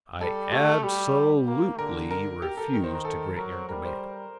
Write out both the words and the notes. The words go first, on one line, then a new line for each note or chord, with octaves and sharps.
I ab-so-lute-ly refuse to grant your demand.
G3 A4
A3 G4
G3 G4
A#3
D3 A#4
A#4
G4
A4
D#3 A#4
C5
A#4
A4
F#3 A#4
C5
G3 A#4
C5